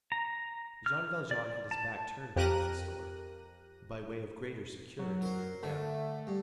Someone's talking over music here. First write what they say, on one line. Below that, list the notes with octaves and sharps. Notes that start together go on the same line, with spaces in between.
Jean Valjean had his back turned towards this door, by way of greater security, no doubt.
A#5
F6
D5
A5
F2 G4 A#4 F#6 A#6 D#7
F#3
A#4 C5
D3 A3
G2